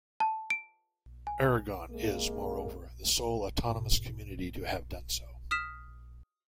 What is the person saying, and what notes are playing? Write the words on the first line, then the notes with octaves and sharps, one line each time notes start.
Aragon is, moreover, the sole Autonomous Community to have done so.
A5
D7
G#5
C3 G#3 A#3
G#2 B2
D#6 F6 B6 E7